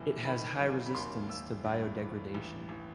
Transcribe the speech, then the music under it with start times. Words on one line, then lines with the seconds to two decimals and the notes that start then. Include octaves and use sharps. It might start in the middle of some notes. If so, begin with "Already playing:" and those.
It has high resistance to biodegradation.
Already playing: F#1 E2 C3 E3
0.25 D#3 B5
0.60 F#3
0.86 B5
0.95 D#2 C6
1.29 D#2 E6
1.64 G2
1.99 E3
2.34 A1
2.69 A1